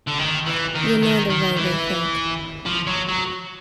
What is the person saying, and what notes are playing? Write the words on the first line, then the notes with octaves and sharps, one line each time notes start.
You know the way they think.
D3
D#3
E3
D#3
D#3
D#3
E3
F3
F#3
F#3